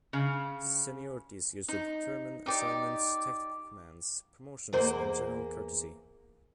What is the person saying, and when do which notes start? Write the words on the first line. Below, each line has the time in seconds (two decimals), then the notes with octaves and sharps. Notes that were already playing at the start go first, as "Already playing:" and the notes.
Seniority is used to determine assignments, tactical commands, promotions and general courtesy.
0.13 C#3
1.68 D#4
2.46 D#4 G4 D5
4.73 E2 A#3 C5